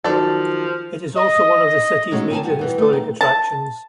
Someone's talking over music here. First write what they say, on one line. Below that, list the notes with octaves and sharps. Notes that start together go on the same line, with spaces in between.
It is also one of the city's major historic attractions.
D#3 F3 F#3 A4 D5
D#5
F#3 G#3 A3 C#4 D#4 F#4
C3 G#4 A#4 E5 G#5 A5
G3 F#4
B2 E3 G3
A3 A5
D#3
A5